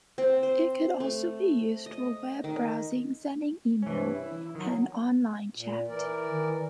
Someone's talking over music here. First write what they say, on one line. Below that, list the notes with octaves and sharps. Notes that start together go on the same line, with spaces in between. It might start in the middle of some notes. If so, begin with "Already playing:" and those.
It could also be used for web browsing, sending email, and online chat.
C4
C5
A3
D#5
D#3
G2 C3 E3 C#4
E4
D#3 F#3
A#2
E3 A#4 D5
D#3